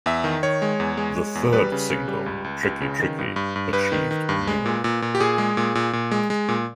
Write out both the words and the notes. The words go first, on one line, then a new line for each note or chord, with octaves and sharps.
The third single, "Tricky, Tricky", achieved No.
E2 E5
D#3
D#3 C#5
G#3
E2
G#3
G#3
E2
G3 B4
C#3
C#3
G3
C#2
C#2
C#2
C#3
D#3
G2
G2
G2
G2 B4
D#3
D#3
G2
G#3
A#2
A#2
A#2
G4
A#2 G#4
G#3
A#2
A#2
A#2
G#3
G#3
A#2